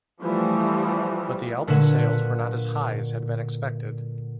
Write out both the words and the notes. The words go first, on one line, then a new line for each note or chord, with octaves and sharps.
But the album sales were not as high as had been expected.
E3 F3 G3 A3
A#2 D3 F#3 B4 F#5 E7